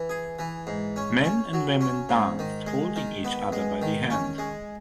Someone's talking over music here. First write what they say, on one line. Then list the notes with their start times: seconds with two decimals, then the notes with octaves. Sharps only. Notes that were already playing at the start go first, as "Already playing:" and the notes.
Men and women danced holding each other by the hand.
Already playing: E3
0.10 G#4
0.39 E3
0.67 G#2
0.96 C#4
1.24 C#4
1.53 F#3
1.81 C#4
2.09 G#2
2.39 D#3
2.67 G#3
2.96 D#3
3.25 B3
3.52 G#3
3.82 D#3
4.10 C#4
4.38 G#3